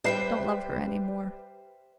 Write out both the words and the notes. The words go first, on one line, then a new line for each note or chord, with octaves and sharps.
Don't love her any more.
G3 B4 C5 E5 G5 C7